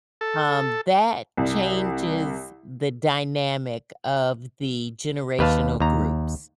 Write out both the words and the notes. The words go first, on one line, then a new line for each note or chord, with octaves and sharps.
um, that changes the dynamic of the generational groups.
A4
C2
D#2 B4 F5 A5
D#2 A#5